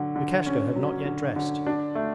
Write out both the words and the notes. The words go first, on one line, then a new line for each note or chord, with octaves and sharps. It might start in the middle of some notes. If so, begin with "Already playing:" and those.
Lukashka had not yet dressed.
Already playing: D3 F#3
D3
C#4
F#3
D3
D3
D4
A3